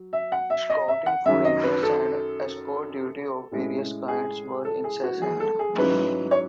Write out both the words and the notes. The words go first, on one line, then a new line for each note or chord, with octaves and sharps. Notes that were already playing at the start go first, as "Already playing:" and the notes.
Scouting for Indians and escort duty of various kinds were incessant.
Already playing: F#3
E5
F#5
E5
D#5
E5
F#5
F#2 D#3 F#3 E5
D#5
B4
A4
A2 G#3 C#4 E4
G#4
A4
G#4
F#4
G#4
A4
G#4
G#2 F#3 C#4 E4 B4
C#5